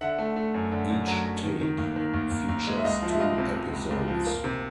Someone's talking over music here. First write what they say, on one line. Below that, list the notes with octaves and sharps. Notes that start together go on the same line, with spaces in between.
Each tape features two episodes.
D3 E5 F#5
A3
A3
F#2
D3
F#2
F#3
F#3
D#3
D#3
D#2
D#3
D#2
D#2
D#2
G#3
E5
C#2 D#5 F5
F3
E5
C#2 D#5 F5
C3
C#2
C#2
C#2
F3
A#3
C3